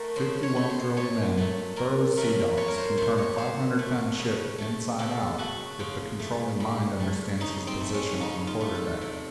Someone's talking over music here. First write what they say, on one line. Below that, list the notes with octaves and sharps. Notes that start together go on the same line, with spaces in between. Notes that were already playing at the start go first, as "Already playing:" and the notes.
Fifty well drilled men, thorough sea dogs, can turn a five hundred ton ship "inside out," if the controlling mind understands his position on the quarter-deck.
Already playing: A3 F#4 A#4
C#3 C5
C#5
A3
C5
A#2 C#5
F#3 A3
A#2 A#4
F#3 A3 A#4
A#2 C#5
A#4
C5
A3 C5
C#5
A#2 C5
A3
C#3
A3
C#3 A4
A3 F#4
C#3 F4
A3
C#3
A3
C#3 D#4
C4
A3
C#4
C#3 D#4
F4
A3
A4
C3